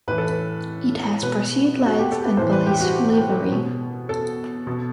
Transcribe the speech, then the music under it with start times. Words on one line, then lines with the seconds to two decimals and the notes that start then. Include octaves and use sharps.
It has pursuit lights and police livery.
0.08 A2 E3 B4
0.18 A4
0.28 B4
1.23 B2 B4
1.86 F#4
1.99 G4
2.12 A4
2.25 B4
2.37 A2 E3 C5
2.52 B4
2.67 G4
2.81 F#4
3.52 B2
4.09 A4
4.67 B2